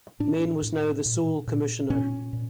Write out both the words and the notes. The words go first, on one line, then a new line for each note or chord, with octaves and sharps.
Mayne was now the sole Commissioner.
A2 D4
A2
A#2
A#2
A#2 C#4
A#2